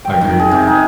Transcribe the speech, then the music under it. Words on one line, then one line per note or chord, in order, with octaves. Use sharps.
I agree.
G5
D#3
G#4
C3
D#4